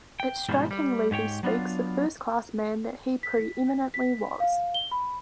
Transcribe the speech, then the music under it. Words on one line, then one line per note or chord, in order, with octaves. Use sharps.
It strikingly bespeaks the first-class man that he pre-eminently was.
G5
G#2 B2 F3 G3
G3
G#2 G4 C#5 G5
F#3 B3 D4 F4
B6
B6
F5
G7
B5